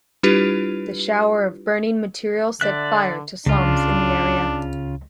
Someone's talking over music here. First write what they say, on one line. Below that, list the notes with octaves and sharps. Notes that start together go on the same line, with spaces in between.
The shower of burning material set fire to slums in the area.
G3 D4 E4 F4 G4 B4
D3 D5 E5 F#6
C#2 C#3 D4 F4